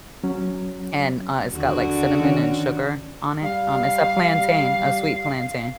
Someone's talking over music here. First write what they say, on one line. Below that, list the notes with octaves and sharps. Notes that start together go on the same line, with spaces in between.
and, uh, it's got, like, cinnamon and sugar on it, um it's a plantain, a sweet plantain.
F#3 C#4
D#2 D3 F#4
D#3 C#4
G3 F5